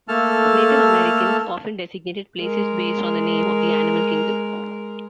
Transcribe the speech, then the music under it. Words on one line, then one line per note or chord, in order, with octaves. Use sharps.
Native Americans often designated places based on the name of the animal kingdom.
A3 A#3 A4 A5 F6
G#3 A#4